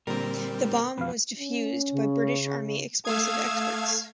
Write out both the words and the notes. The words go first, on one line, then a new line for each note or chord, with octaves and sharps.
The bomb was defused by British Army explosive experts.
A#2 D3 G3 C4 A#4
F2 B2 B4 F5
C#4
C#3
A3 F5 D#6 E6 G#6